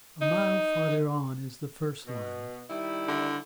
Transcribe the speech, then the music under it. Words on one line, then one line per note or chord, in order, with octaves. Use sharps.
A mile farther on is the first line.
D#4
B2
D#3 G3 E4
D3